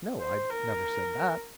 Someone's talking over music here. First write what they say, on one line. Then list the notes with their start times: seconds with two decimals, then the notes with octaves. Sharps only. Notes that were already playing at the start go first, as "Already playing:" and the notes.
"No, I never said that."
0.20 C5
0.50 A#4